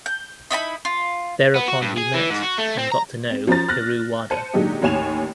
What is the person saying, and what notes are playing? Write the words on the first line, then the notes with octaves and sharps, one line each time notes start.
Thereupon he met and got to know Hiroo Wada.
G6
D#4 E4 G5 B5
F4
B3
F#4
G2
G#4
E3
G#2
F#4
A3
C4
A#5
C4
F3 C#4 C5 A#5 A6
F6 F#6 A6 A#6
C5 A5 C#7 D#7
A#2 D3 F#3 G#3 D#4 G4
A1 D#2 C#5 G#5 E7 F7